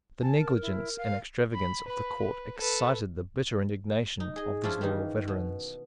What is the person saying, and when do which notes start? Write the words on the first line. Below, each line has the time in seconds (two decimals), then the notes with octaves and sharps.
The negligence and extravagance of the court excited the bitter indignation of these loyal veterans.
0.22 G#5 A5
0.39 A#4
0.62 E4
0.98 F5
1.54 B5
1.86 B4 B5
2.18 B4
2.58 A4 B4
4.20 D#4
4.36 G#4 D#5
4.63 F3 C#4 D4 E4 F4
4.81 D#3 E3 A#3 D#4
5.28 B2